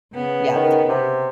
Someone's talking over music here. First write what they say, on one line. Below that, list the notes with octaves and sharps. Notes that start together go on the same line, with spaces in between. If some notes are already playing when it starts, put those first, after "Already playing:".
Yeah, t
C#3 B3
D#3
C3